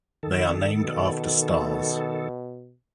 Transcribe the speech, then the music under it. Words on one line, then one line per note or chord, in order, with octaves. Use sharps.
They are named after stars.
D#3 A4
B2